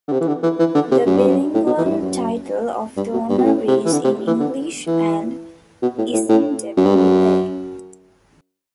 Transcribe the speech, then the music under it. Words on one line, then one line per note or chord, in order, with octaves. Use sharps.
The bilingual title of the honour is in English and isiNdebele.
D3
C3
E3
D3
E3
E3
D3
C3
F#2
G2
F#2
A2
B2
E3
F#2
G2
F#2
G2
B2
G2
B2
A2
C3
E3
D3
C3
E3
D3
E3
B2
A2
A2
A2
F#2
G2
F#2